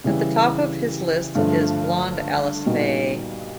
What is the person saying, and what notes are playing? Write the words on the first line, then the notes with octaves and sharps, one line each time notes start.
At the top of his list is blonde Alice Faye.
C#3 E3 G3
G2 D3 F3 A3
A#2 G3 B3 D#4 F#4